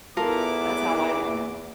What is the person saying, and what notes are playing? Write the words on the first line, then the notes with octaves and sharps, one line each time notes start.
that's how I learned.
E2 B3 E4 F4 A4 A#4 D6